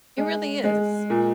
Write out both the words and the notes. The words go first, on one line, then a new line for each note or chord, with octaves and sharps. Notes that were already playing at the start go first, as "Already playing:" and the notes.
It really is.
G#3
G#3
A#2